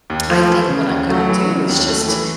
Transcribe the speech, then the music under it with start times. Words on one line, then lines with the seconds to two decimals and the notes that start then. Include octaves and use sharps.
I think what I'm gonna do is just
0.10 D#2
0.30 F3 A3
0.49 E3
0.69 C#3
0.90 D#2
1.09 F#3 A3
1.29 E3
1.48 C#3
1.69 D#2
1.89 A3
2.08 E3